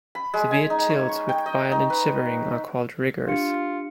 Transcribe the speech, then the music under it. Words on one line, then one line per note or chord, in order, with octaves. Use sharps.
Severe chills with violent shivering are called rigors.
B5
G#3
G#5
D#4
C#5
C#6
G5
D#5
D#4
B4
D4 F4 G4 C#7